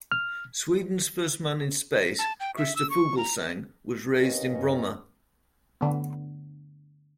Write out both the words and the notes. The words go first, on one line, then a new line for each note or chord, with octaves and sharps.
Sweden's first man in space, Christer Fuglesang, was raised in Bromma.
F6
A5
G5
E5
E6
C#6
A#5
D#2 C#4 B4 D#5
F#2 C#4
D3 B3